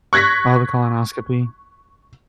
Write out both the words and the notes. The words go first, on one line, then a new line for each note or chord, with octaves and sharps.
Oh, the colonoscopy.
C#6 F#6 G#6 A#6 B6